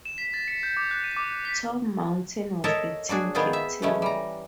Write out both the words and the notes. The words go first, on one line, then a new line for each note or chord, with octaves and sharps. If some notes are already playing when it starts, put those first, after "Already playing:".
Tom Mountain was the team captain.
E7
B6
A6
C#7
G6
D6
F#6
D#7
D6
G6
B6
A4 A#4 C#5 D#5 E5 A5
F#3 D4 F#4 G#4
D#3 B3 C4 F4 G#4
E5
C#3 E3 G#3 A3 C#4
G3 A#5